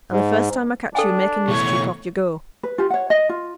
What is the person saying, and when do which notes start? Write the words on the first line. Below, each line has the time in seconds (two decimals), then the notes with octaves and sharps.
And the first time I catch you making mischief, off you go.
0.12 G#2
0.95 D4 A4 G5 G#5
1.48 B2 E3 A3 C#5 C#6
2.63 B4
2.78 F4 G4
2.90 C#5 F#5
3.10 D#5
3.29 F4